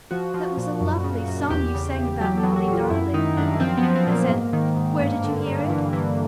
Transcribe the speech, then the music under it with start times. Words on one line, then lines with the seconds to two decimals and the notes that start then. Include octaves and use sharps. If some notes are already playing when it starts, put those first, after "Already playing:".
"That was a lovely song you sang about 'Molly darling,' Billy," I said. "Where did you hear it?"
0.11 F3 F#4
0.34 F3
0.57 A#2
0.81 F#2
1.04 C#3
1.27 F#2
1.50 E2 G4
1.74 C#3
1.97 E2
2.21 F#3 G4
2.37 A4
2.43 F#3
2.56 F#4
2.67 A#2
2.73 F4
2.90 F#2 E4
3.14 D#3 D#4
3.37 F#2 D4
3.60 F3 C4
3.77 B3
3.83 F3
3.96 C4
4.07 A#2 A#3
4.29 G#2
4.53 D#3
4.76 G#2
5.00 G2 A#3
5.23 D3
5.46 G2
5.69 E3
5.93 E3